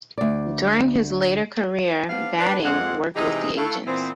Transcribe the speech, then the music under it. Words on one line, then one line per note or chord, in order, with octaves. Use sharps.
During his later career, Badding worked with the Agents.
D2 D5
G3 B3 C4 D4 F5
D4 B4
F2 G#3 A#3 C4 F4 F#5
C3 E3 G#3 D#4 G4 G#4
A3 E4 F#4 A4 F5
A#2 E3 B3 C4